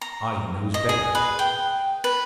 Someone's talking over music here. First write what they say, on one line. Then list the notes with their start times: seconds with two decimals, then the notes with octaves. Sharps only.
I knows better.
0.01 A#5
0.74 D#5
0.89 G#4
1.15 B4
1.39 G5
2.04 B4